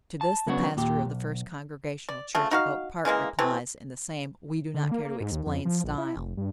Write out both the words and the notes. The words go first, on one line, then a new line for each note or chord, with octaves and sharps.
To this the pastor of the First Congregational Church of Oak Park replies in the same we-do-not-care- to-explain style.
A5
C#3 F#3 B3 D4 F#4
D#2 A#2 G4
B1
D5
C#3 F3 A3
D#4 F#4 F5
C#3 E3 G#3 A#3
C3 E3 A3 C4
D3
A#3
A#3
G#2
D#2
F2
F3
A#1
E4
F1
G2